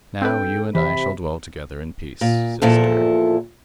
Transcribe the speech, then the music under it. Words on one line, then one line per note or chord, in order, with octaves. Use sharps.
Now you and I shall dwell together in peace--sister.
C4 D4 A4 B4 G5
C3 E3 E5 B5
A#2
E2 A#2 F3 E4 A4